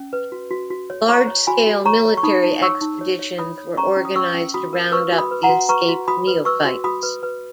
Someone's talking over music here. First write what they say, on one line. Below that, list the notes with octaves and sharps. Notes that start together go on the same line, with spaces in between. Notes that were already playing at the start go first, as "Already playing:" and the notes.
Large-scale military expeditions were organized to round up the escaped neophytes.
Already playing: C#4
B4
F#4
F#4
F#4
C#5
C#5 A#5 C#6
C#5
F#4 G#5 B5
F#4
C#5 A#5 C#6
C#5
C#6
D#4 B5 D#6
D#4
C#5 C#6 E6
D#4
C#5
C#5
C#5 B5 D#6
C#5
C#4 A#5 C#6
C#4
D#6
C#4 C#6 E6
C#4
F#4 B5 D#6
A#4
B4 C#6 E6
F#4
B5 D#6
B4
F#5 A#5
F#4
B4 A#5 C#6
F#4
F#4 B5 D#6
B4
B4 C#6 E6
F#4
F#4 B5 D#6
B4
B4